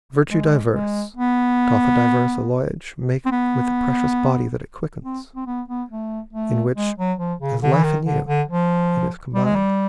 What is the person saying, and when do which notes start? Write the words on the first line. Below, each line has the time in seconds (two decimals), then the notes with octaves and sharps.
Virtue diverse doth a diverse alloyage Make with the precious body that it quickens, In which, as life in you, it is combined.
0.30 G#3
0.73 G#3
1.17 B3
3.26 C4
3.31 B3
5.04 C4
5.36 C4
5.47 B3
5.68 B3
5.90 A3
6.33 A3
6.76 G#3
6.98 F#3
7.19 F3
7.41 C#3
7.62 D3
7.73 E3
7.84 D#3
8.05 D3
8.27 D3
8.48 F3
9.34 G3
9.45 G#3
9.55 G3